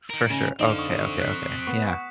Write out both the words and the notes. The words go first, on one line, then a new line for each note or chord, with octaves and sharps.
For sure. Okay, okay, okay. Yeah.
D#4 A#4
C#3 F7
D3 C4 D#4 F5 E7
C#6 D#6
F#6 B6 C#7
B3 C#6